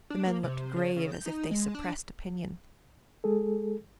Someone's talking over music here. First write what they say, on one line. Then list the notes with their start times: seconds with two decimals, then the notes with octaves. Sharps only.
The men looked grave, as if they suppressed opinion.
0.10 D4
0.27 A#3
0.43 C3
0.76 C#3
0.97 C#3
1.12 G6
1.26 D#4
1.51 G#3
1.75 D4
3.24 G#3 G#4 A4